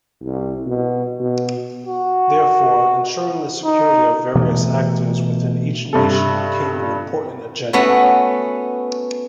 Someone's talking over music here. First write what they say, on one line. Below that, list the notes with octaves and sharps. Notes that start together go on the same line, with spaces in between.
Therefore, ensuring the security of various actors within each nation became an important agenda.
C2
B2
B2
F#4
D#4
B2 E3 A3
G2 C3 A4
A3 B3 C#4 F#4